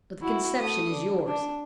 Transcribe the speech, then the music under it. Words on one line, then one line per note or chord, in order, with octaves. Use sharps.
But the conception is yours.
E4 F#4
A3 D#6
D4
D4